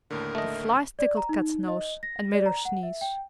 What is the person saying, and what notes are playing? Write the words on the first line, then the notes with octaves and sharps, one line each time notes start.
The flies tickled Kat's nose and made her sneeze.
D#2 A2 D3 A#4
A3 D#5
D5
A#5
D#4
D#5
A#6
D5
A#5
F#5
E5
G5